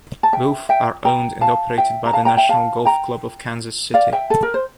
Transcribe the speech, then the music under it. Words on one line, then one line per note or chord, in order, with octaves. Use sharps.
Both are owned and operated by the National Golf Club of Kansas City.
A5
E5 G5
E5 G5
G5 A#5
F5 A5
E5 G5
A#5
F5 A5
G5 A#5
E5 G5
F5 A5
G5 A#5
D5 F5
E5 G5
A4
A#4
C5